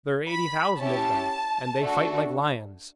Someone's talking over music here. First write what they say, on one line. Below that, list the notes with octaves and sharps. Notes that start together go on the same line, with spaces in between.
There are eighty thousand of them and they fight like lions.
B5
C#4 E4 G4 A5
A3 D4 F#4 A4